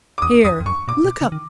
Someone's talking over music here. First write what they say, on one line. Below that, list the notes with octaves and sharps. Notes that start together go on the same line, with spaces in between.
Here, look up.
D6
E2 D#6
F2 D#6
F2
F#2 C#6
A#2 D6
B2
C#3
D#3